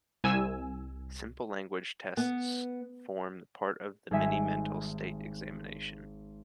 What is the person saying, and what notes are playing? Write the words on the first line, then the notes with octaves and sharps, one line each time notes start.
Simple language tests form part of the mini-mental state examination.
C2 G#5 E6
B3
G#1 G3 G#3 E5 G#5 B6